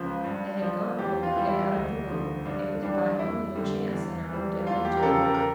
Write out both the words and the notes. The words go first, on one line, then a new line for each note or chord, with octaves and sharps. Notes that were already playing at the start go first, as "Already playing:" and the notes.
They had gone there to get out of the wind and it was by only a chance that I rode down into it.
Already playing: C#2 C#3 F3
G2
F3
E2 G4
F4
E3 G3
E4
D2
D3 F3
G2 D4
E3 G3 D4
F2 E4
D3 G3
E2
E3 G3
E2 F4
G4
A#4
C#3 F3 A4
A#4
A#4